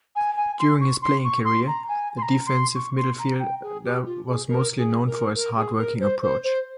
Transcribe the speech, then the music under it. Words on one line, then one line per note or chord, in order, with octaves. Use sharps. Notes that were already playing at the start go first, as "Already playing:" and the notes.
During his playing career, the defensive midfielder was mostly known for his hard-working approach.
G#5
G#5
C6
C#6
C6
C#6
C6
A#5
G#5
C6
A#5
C6
C#6
C6
A#5
G5
G#4
G4
F4
G#4
A#4
G#4
A#4
A#4
G#4
A#4
C5
C5
C5